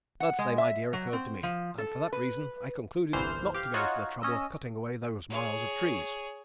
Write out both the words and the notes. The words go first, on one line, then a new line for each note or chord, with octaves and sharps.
That same idea occurred to me, and for that reason I concluded not to go to the trouble of cutting away those miles of trees.
F#5
G#3
E5
F#3
C4
F3
A4
B4
G1 C2 E3 C5 F6
G4 F5
D#4 F4 F#4 C#5
C#4 D#5 E6 D#7
G#4 C#5